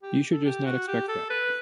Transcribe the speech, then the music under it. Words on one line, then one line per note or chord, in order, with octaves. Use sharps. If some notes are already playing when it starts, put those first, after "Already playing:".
You should just not expect that.
G4
A4
G4
F#4
G4
A4
B4